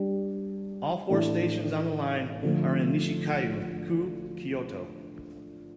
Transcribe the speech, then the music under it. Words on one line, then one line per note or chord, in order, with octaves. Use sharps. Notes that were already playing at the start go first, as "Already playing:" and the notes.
All four stations on the line are in Nishikyo-ku, Kyoto.
Already playing: G3 D4 G4
A2 E3 A3 D4
D3 F3 A3